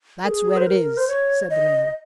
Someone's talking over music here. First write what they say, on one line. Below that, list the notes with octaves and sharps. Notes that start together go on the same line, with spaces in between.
"That's where it is," said the man.
A#4
G#4
C5
A#4
C5
C#5
D#5